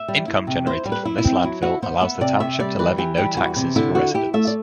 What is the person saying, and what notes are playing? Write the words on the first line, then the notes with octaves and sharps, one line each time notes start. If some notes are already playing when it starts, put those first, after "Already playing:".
Income generated from this landfill allows the township to levy no taxes for residents.
Already playing: E5
G3
E4
C3
E4 C5
G3
B4
E4
E4
C4
F#3 E4
E4 F#4
B3 C5
B3 E5
C3 D5
C3 E5
G3 D5
E3 B4
E3 G4
G3 G4
E2 F#4
C3
D3 E4
E4 F#4
E4 G4
A3 E5
D5